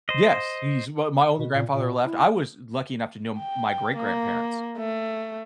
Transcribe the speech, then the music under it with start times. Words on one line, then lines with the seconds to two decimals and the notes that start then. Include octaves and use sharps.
Yes, he's well my only grandfather left I was lucky enough to know my great-grandparents,
0.09 C5 D#5
1.39 B2
1.54 A#2
1.70 A#2
2.03 E4
3.38 G5
3.96 A#3
4.78 A3